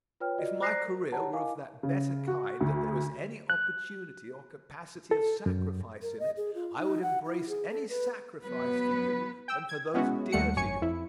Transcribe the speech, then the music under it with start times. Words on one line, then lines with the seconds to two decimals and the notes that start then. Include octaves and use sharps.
If my career were of that better kind that there was any opportunity or capacity of sacrifice in it, I would embrace any sacrifice for you and for those dear to you.
0.20 F4 B4 C#5 G5 F6
0.38 F4 F#4 D5 D#5
0.61 C5 D5 A#5 F#6 A#6 C7
0.85 A#4
1.12 D#4 G4 C#5 F#5 A5 A#5
1.33 E4 A#4 D#5 F5 G#5 D6
1.83 C#3
2.28 F#4
2.61 D2
3.50 F#6
5.11 A4
5.46 F#2
6.02 A#4
6.19 D#5
6.37 G#4
6.55 F4
6.78 D#4
7.02 F#5
7.25 E4
7.49 G#4
7.71 A4
7.89 B4
8.42 F#3 B3 B4
9.48 G5 E6
9.69 G#6
9.94 G#3 B3 C#4 E4 F#4
10.32 D#2 G3 A3 F#5 C#7
10.56 G#1 F#2 C#5 G#5 C#6 C#7
10.81 F2 E4